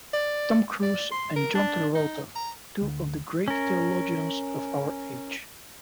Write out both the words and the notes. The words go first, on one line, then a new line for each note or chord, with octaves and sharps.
Tom Cruise and John Travolta - two of the great theologians of our age.
D5
D5
C6
A#4
D4
D#4
A#5
D2
C#4 A#4